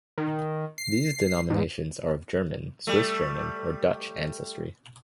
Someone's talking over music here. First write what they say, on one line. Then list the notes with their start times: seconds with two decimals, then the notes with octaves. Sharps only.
These denominations are of German, Swiss German or Dutch ancestry.
0.18 D#3
0.78 C7
1.50 G#2
2.87 G3 A3